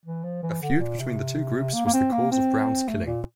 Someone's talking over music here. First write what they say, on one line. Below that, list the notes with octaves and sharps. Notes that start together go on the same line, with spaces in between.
A feud between the two groups was the cause of Brown's killing.
E3
F3
E3
D3
A#2
C3
A#3
A#3
C4
A#3
C4
A3
A#2